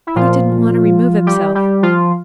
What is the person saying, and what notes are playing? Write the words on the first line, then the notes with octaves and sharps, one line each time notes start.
But he didn't want to remove himself.
E4
A#2 F3 F4
G3 G4
G3 G4
F3 F4